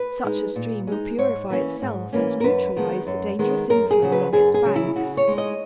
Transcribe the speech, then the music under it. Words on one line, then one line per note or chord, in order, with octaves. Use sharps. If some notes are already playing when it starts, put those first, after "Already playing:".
Such a stream will purify itself and neutralize the dangerous inflow along its banks.
Already playing: B4
G#3 D#4
A#2
G#3 D#4
G#2 C#5
E3 A#3 C#4
G#2
E3 A#3 C#4
A#4
F#2 B4
D#3 G#3 B3
F#2
D#3 G#3 B3
F#2 A#4
G#4
C#3 F#3
B4
F#2 G#4
G#4
C#3 F#3
E4
C#3 F#4
C#5
G#3 D#4
D#5